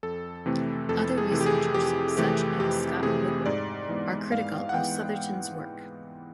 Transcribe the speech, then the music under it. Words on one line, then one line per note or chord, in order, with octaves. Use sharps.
Other researchers such as Scott Woodward are critical of Southerton's work.
F2 A4
C3 E3 A3 C4
F2 A4
G#4
C3 E3 A3 C4
G4
G#4
F2 G4
C3 E3 A3 C4 G4
F2 G4
C3 E3 A3 C4 G#4
G#2 D5
E3 G#3 B3
G#2 F5
F#5
E3 G#3 B3 G5